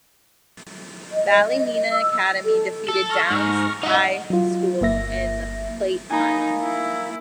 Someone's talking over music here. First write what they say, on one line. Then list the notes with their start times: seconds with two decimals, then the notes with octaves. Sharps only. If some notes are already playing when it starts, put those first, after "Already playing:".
Ballymena Academy defeated Down High School in the Plate final.
1.13 D#5
1.91 E6
2.45 A4
2.88 A4
3.10 C#6 F6 A#6
3.30 G#2
3.83 D#4 D#5 E5 F#5
4.30 F#3 F4
4.81 G1 A#3 E5 A#6
6.10 A#3 D#4 G#5 A#5 B5
6.62 E4